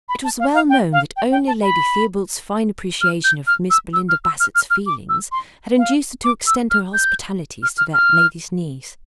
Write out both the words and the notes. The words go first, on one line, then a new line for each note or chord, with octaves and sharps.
It was well known that only Lady Theobald's fine appreciation of Miss Belinda Bassett's feelings had induced her to extend her hospitalities to that lady's niece.
B5
A5
F5
F5
G5
F5
G5
G5
A5
B5
F6
G6
F6
E6
E6
F6
E6
F6
F6
F6
D6
E6
C6
F5
D6
E6
F6
G6
F6
F6
F6